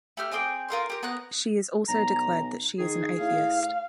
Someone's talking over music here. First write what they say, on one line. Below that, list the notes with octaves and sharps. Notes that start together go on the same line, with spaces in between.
She has also declared that she is an atheist.
A3 G4 F6
C4 G#4 G5 D6
F4 A#4 F5 C6
G4 A#4
B3 A#5 F#6
B1 A#5
D#3 G#4
A2 F5